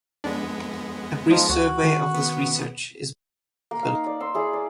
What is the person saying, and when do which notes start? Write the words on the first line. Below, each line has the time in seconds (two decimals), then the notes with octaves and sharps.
A brief survey of this research is below.
0.24 F2 G#3 B3 D4
1.31 F3 D#4
1.49 D2 F#4
1.83 D#3
2.14 B3
3.71 A#3
3.83 D#4 F5
4.06 D5
4.20 C6 E6
4.34 E4 G#4 D5
4.53 D5